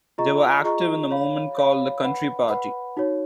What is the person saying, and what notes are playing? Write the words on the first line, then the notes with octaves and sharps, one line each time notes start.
They were active in the movement called the Country Party.
F4 G#4 D#5 A#5 C#6
F4 G#4 D#5 A#5 C#6
C#5 F5 B5
C#5 F5 B5
B4 F#5 B5
B4 F#5 B5
D#4 F#4 C#5